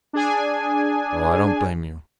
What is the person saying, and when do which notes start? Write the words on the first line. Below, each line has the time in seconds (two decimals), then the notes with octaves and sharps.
Well, I don't blame you.
0.13 D4 G#4 G#5